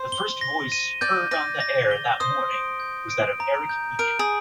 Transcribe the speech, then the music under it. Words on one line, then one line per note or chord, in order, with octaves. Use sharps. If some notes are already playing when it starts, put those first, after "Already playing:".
The first voice heard on the air that morning was that of Eric Egan.
Already playing: C5
G7
A#6
D#7
D5 G6
D5 A#6
A#6
G7
C5 D#6
D7
G6
D7
A#5
G6
A#4 D7
G#4